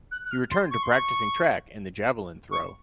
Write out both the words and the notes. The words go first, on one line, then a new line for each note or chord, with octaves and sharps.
He returned to practicing track and the javelin throw.
F#6
F#6
F6
C6
C#6
C6
C#6
C#6